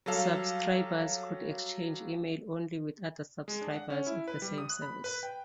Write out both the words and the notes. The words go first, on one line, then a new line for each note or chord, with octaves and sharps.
Subscribers could exchange email only with other subscribers of the same service.
F#3 G3 A4 F5
G#3
D4
F#5
C#4
E4
B4
G3
D#6
F#6
B5
B4
G5